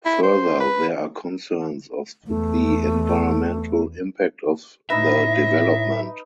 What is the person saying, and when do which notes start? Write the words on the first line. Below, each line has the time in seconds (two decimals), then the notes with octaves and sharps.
Further there are concerns of the environmental impact of the development.
0.06 E4
0.23 C5
0.60 B4
2.27 E2 A3
4.90 A2 D#4 B4 E5 A#6